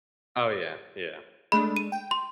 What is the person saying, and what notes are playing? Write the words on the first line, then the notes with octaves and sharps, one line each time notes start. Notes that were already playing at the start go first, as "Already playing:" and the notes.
Oh, yeah. Yeah.
G#3 A3 D4 B5
D#7
G5
C6